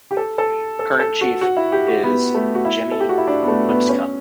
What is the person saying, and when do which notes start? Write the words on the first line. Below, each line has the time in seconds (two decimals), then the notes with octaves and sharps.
Current chief is Jimmy Lipscomb.
0.11 G4
0.17 A4
0.38 A4
0.79 A4
0.99 A4
1.21 F#4
1.41 F#4
1.57 E4
1.72 G4
1.88 F#4
2.03 B3
2.34 A3
2.55 F#4
2.65 E4
2.91 A4
3.00 G4
3.09 F#4
3.18 E4
3.27 D4
3.43 B3
3.48 A3
3.69 B3
3.89 C#4